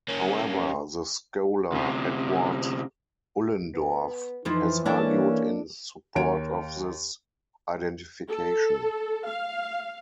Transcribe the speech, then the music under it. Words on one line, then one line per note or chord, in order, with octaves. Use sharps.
However, the scholar Edward Ullendorff has argued in support of this identification.
A#3 C#4
D2 C3
B3
F2 E3 F3 D#4 E4
A#3 C#4 D4 E4 A4
D#2 A#4 C#5 D7
A4
F5